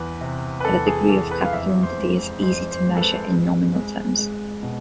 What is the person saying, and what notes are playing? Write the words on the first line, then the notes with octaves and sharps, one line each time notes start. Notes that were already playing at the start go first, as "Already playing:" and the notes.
The degree of capital intensity is easy to measure in nominal terms.
Already playing: E2 B4
C3
B4
E2 A4
G#4
E2 A4
B4
F5
F2 E5
C5
G#3
F2 C5
C5
G#3
A4
B4
G#3
G#3
G#3
B2